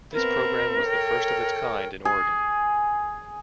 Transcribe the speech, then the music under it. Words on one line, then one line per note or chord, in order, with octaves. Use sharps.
This program was the first of its kind in Oregon.
B3 C4 A#4 E5
A4 C#5 G5
G#4